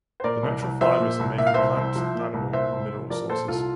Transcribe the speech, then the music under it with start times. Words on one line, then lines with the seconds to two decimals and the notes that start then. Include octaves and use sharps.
The natural fibers are made from plant, animal and mineral sources.
0.20 C5
0.24 A#2 A#4 D5
0.43 C2
0.62 C2
0.81 F3 C5 E5
1.00 A#2
1.19 C2
1.38 A#2 E5
1.47 F5
1.54 C2 C5 E5
1.77 C2
1.96 F3
2.15 A#2
2.34 C2
2.53 A#2 C5 E5
2.72 C2
2.91 C2
3.10 F3 A#4 D5
3.30 A#2 A4 C5
3.48 C2 F4 A4